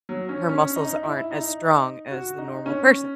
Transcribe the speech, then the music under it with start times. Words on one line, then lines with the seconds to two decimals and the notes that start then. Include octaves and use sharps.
her muscles aren't as strong as the normal person.
0.09 F#3
0.29 C#4
0.49 C#4
0.76 D#4
1.03 E4
1.31 D#4
2.11 F#4
2.38 D#4
2.66 C#4